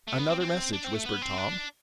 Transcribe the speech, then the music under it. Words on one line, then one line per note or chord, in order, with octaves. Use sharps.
"Another message," whispered Tom.
A3
B3
C4
C4
D4
C4
A3
B3
C4
D4